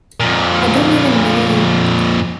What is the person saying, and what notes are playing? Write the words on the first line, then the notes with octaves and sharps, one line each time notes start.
I don't even know you.
F2 A#2